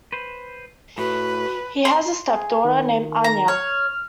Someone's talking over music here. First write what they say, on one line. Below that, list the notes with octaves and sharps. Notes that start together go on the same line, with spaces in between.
He has a stepdaughter named Anaya.
B4 C5
A2 F#4 B4
C6
G#4
D#3
A#5
C#5 F6